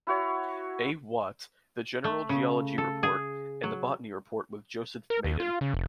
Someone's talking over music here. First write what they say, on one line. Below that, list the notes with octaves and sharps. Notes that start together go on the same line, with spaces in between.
A. Watt, the general geology report, and the botany report with Joseph Maiden.
E4 F#4 C#5
A3
C#3
A4
G#4
F#3
A#4
D#2
F4
C#3
F1